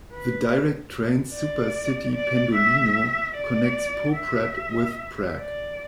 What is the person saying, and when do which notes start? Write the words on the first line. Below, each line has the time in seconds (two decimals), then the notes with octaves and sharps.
The direct trains SuperCity Pendolino connects Poprad with Prague.
0.12 B4
1.34 D5
2.14 D5
2.55 E5
3.35 D5
4.16 E5
5.37 D5